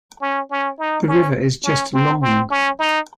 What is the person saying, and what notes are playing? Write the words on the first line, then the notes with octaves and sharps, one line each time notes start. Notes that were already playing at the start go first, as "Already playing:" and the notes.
The river is just long.
C#4
C#4
D#4
C#4
C#4
C4
C4
C#4
D#4